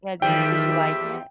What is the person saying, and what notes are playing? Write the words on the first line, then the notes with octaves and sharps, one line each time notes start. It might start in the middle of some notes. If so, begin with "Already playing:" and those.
Yeah, did did you like it?
E2 D#3 F3 G3 E5 G5